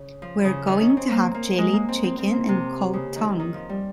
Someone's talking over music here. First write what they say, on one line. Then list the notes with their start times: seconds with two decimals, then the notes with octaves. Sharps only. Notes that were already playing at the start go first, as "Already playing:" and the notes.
We’re going to have jellied chicken and cold tongue.
Already playing: C#3
0.22 F3
0.44 C#3
0.67 D#3
0.81 C#4
0.97 C4
1.12 A#3
1.34 A#3
1.58 G#3
1.73 A#3
1.89 C4
2.04 C4
2.19 C4
2.33 A#3
2.49 C3
2.93 C#3
3.16 D#3
3.40 D#3
3.54 F3
3.69 G3